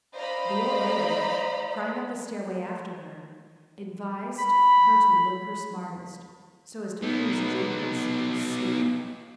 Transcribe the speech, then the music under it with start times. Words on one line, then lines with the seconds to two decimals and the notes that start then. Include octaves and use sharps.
The old lady, crying up the stairway after her, advised her to look her smartest--so as to please Jabez, forsooth!
0.14 C5 D5 D#5 F5 A#5 B5
4.38 B5
7.03 B3 D#4